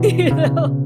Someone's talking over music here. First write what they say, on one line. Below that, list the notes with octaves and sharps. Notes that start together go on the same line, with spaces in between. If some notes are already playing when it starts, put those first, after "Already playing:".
you know,
Already playing: B2 E3
C#3